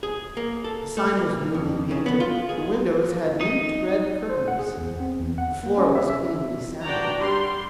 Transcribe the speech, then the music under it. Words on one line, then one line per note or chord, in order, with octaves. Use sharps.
The sign was newly painted; the windows had neat red curtains; the floor was cleanly sanded.
G#4
A#3
A4
A3
A#3
F2
C#3
B3
F4
G#4
D#4
C5
F#5
G#4
E2
C4
E2
F#5
A#3
C#4
E5
E5
D4 F#4 D5 G5 A#5
G3 C6